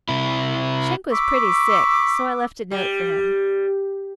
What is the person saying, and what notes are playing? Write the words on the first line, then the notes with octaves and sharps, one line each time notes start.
Schenk was pretty sick, so I left a note for him.
C3 E4
B5 C#6 D6 E6
G3